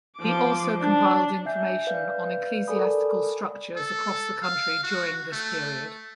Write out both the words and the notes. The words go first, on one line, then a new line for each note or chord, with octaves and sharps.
He also compiled information on ecclesiastical structures across the country during this period.
F3 D6
D4
E5 G#5 G6 C7
B4 D5 F5 G6
A4 A#4 D5 G#5 B5 D#6
A4
F5
F#4
A3